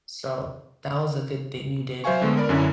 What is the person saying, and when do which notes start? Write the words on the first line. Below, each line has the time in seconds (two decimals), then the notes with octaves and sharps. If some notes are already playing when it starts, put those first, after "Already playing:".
So that was a good thing you did.
2.04 F#3 C5 E5 F5 G#5 C#6
2.22 D3 G#3 A3 B3
2.37 A#4 D5 B5
2.49 F#2 D3 C#4 D4 E4